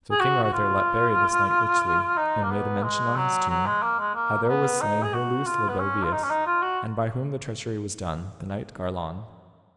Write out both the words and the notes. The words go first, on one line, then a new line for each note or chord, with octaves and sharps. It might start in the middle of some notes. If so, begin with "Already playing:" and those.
So King Arthur let bury this knight richly, and made a mention on his tomb, how there was slain Herlews le Berbeus, and by whom the treachery was done, the knight Garlon.
G#4
F#4
F#4
F4
D#4
A#3
B3
G#3
F#3
F#3
G#3
A#3
G#3
A#3
A#3
B3
D#4
G#4
F#4
F4
B3
C#4
F4
D#4
C#4
D#4
F4
F#4